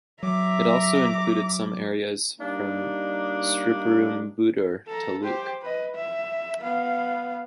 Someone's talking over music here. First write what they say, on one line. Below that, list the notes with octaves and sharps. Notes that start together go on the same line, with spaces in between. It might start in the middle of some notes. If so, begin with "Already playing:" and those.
It also included some areas from Sriperumbudur Taluk.
F#3 E5 A#5 D6
G3 A#3 D4 D#4
A4 A#5
G4 C5
B4 D#5
E5
B3 F5